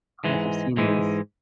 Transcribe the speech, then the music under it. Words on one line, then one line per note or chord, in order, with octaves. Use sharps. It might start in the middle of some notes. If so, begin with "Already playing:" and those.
I have seen this.
G#2 E3 G#3
G#2 E3 G#3